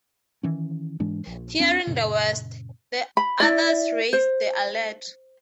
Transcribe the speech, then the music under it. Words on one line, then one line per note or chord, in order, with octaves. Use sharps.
Fearing the worst, the others raised the alert.
D#3 E3 C#4
G#2 E3 G#3 D4
A#1
D#2 C4 D4
F#2 A#2 C#3
B5
E4 D5
C5